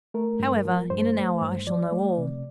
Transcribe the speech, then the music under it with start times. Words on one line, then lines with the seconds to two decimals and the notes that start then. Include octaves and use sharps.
However, in an hour I shall know all.
0.14 A3 A#4
0.40 G2
0.65 F3
0.90 G2 C5
1.15 A3
1.41 G2
1.67 F3 D5
1.92 A3
2.18 C3